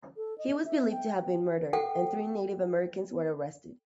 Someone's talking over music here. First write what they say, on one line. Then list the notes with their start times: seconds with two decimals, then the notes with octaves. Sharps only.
He was believed to have been murdered, and three Native Americans were arrested.
0.17 A4
0.38 D#5
0.65 E5
0.92 G5
1.73 A4 F#5 G5